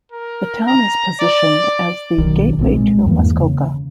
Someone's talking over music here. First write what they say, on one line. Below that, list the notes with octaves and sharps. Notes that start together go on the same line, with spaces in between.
The town is positioned as the "Gateway to Muskoka".
A#4
A#5
D5
B1 D#3
B1 A#2 F#3 C4
G#3
E2 G2 E3 A#3
C#3